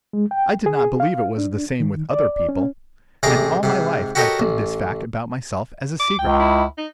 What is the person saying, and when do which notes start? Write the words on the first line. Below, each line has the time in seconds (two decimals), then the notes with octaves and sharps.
I did not believe it was the same with other people, and all my life I hid this fact about myself as a secret.
0.13 G#3
0.31 G5
0.66 G#4
1.00 F5
1.38 D4
1.80 D#3
2.11 D5
2.49 C#4
3.23 A1 C3 G#4 A#5 D6
3.63 G#2 C3
4.15 F#4 G4 A4 A#4 C#5 D#5
4.40 A1
6.00 D6
6.19 C#2 G5
6.40 E4
6.78 D#4